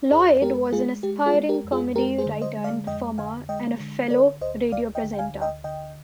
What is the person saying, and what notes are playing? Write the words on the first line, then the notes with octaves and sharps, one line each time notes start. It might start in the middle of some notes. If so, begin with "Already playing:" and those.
Lloyd was an aspiring comedy writer and performer, and a fellow radio presenter.
F2 G#4 C5
G#3 G4 A#4
G#3 F4 G#4
G#3 G4
F4 G#4
G#3
G4 A#4
F2
F4 G#4
G#3 G4 A#4
G#4 C5
D3
C5 D#5
G#3
D5 F5
F2 D#5 G5
D3 F5 G#5
G#3 D#5 G5
D3
D3 A#4 D5
D2 C5 D#5
D2 D5 F5
D#5 G5
D3
G5
F5 G#5
D2
D#5 G5
D3 D#5 G5